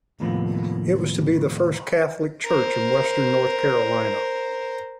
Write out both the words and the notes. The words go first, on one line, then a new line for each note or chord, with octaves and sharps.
It was to be the first Catholic church in Western North Carolina.
D#2 A2 C3 F3 A#3 B3
A#4 C5